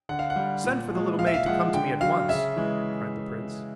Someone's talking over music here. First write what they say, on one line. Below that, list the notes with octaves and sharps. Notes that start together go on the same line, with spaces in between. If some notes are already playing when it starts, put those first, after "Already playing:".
"Send for the little maid to come to me at once," cried the prince.
D3 F#5
F5
F#5
G3
A#2
F3 G#3
A#2 F5
E5
F5
F3 G#3 F#5
D3 G5
F#3 F5
C#3 E5
E3 G#3